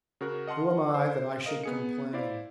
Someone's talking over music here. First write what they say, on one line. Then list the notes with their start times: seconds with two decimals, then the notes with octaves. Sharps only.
Who am I that I should complain?
0.21 C#3 F#4 A#4 F#6
0.47 D#5 F#5 A5 C6 F6
0.94 C5
1.44 A#4 D#5 F5
1.64 B3 G#4 C#7
2.13 E4 C5 D5 F5